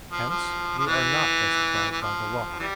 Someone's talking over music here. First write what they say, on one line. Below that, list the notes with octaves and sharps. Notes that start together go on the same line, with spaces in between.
Hence, we are not justified by the Law.
F3
F3
F3
E3
E3
F3
E3 G3